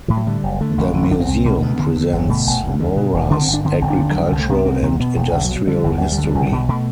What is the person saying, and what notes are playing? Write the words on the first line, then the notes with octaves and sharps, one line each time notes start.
The museum presents Moura's agricultural and industrial history.
A2 E3
F#3
D3 G3
F#1
D3 A3
A1
D3
C4
G1 D4
C4
C2
B2
D2 B3
D3
D3
G1
B2 A3
F#1
D2
D3
B2
E1
D3 D4
C4
G1
D4
D3 C4
B3
G1 C4
D4
D3
G1 F#3
G3
C2
A3
C3 B3
C2 C4
C3
B2 B3
E1
B1 D3
F#3
B2
F#3
D3 G3
G1 E3
D2 F#3
G3
D3
G3
B1
B2
B2 A3